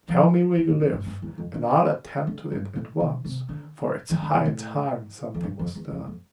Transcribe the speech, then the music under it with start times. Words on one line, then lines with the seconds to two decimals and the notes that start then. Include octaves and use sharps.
Tell me where you live, and I'll attend to it at once, for it's high time something was done.'
0.09 F3
0.57 E3
0.69 A2
0.81 F2
0.93 G2
1.06 G2
1.22 E2
1.38 F2
1.54 D3
2.27 D3
2.52 G2
2.76 A2
3.00 B2
3.25 C3
3.49 D3
4.10 E3
4.21 D3
4.33 C3
4.45 A2
5.34 F2
5.43 G2
5.59 F2
5.75 E2
5.91 F2
6.07 F2